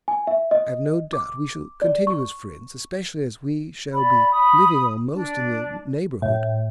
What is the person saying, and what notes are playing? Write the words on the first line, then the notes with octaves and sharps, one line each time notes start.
I have no doubt we shall continue as friends, especially as we shall be living almost in the neighbourhood.
G#5
E5
D#5
D6
D5
C#6
D5 B5
B5 D#6
D4
A2